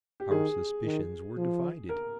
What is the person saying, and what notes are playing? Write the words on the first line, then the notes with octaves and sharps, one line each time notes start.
Our suspicions were divided.
G4
D#3 G#4
D#3
F3
A#4